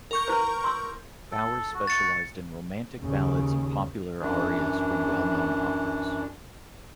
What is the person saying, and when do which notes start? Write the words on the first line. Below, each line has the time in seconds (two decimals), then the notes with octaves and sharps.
Bowers specialised in "romantic ballads and popular arias from well-known operas".
0.11 A#4 C#6 G6
0.28 E4 B4 C5
0.64 C6 E6
1.31 A4
1.74 F#4
1.87 A6 C#7
3.00 D#2 C#3
4.21 F#2 E3 D4